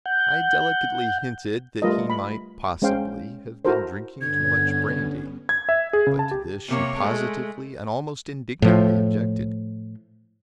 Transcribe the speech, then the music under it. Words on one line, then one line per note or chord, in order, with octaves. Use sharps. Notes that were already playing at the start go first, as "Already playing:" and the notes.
I delicately hinted that he might, possibly, have been drinking too much brandy; but to this she positively and almost indignantly objected.
F#5 G6
G3 A3 F4 A#4 B4 D#5
B5
G#3 C#4 C5 F5 G5
E4 F#4 A4 A#4 C5
G2 D3 B3 C#4 G#6
G#6
E5
G#4
C#3
A5
G4
C3 A#3 C#5
G#3 A3
A2 F3